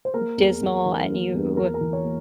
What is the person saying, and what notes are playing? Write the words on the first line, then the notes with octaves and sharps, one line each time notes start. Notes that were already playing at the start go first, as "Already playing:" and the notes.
dismal and you
C5
A#3 A#4
E2
E2
E3
A#3
E2
E2 A#4
A#4
E3
C#5
A#3